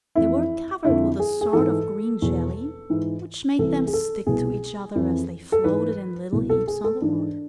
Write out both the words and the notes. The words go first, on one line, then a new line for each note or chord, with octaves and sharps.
They were covered with a sort of green jelly which made them stick to each other as they floated in little heaps on the water.
F2 E3 E4
F2 D3 E4
G#4
G#4
G#2 E3 A4
E2 B2
G#2 E3
C2 C3 E3 A4
G#4
A4
C2 B2 G#4
F2 E3
A4
G#2 E3 B4
C2 B2
A4
G#4
A4
G#2 E3 D4